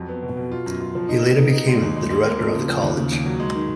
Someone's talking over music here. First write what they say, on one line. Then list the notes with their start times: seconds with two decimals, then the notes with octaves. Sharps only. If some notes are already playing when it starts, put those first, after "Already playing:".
He later became the director of the College.
Already playing: F2 F#3
0.09 B3
0.23 B2
0.37 B2
0.52 F4
0.66 F#2
0.80 F4
0.95 F3
1.09 D#4
1.24 B3
1.39 D#4
1.52 D#4
1.67 G#3
1.81 D#2
1.97 G#3
2.10 G#3
2.25 A#3
2.40 F3
2.54 C#3
2.68 F3
2.82 D#2
2.97 C#3
3.12 D#2
3.26 F#3
3.40 G#3
3.55 D#3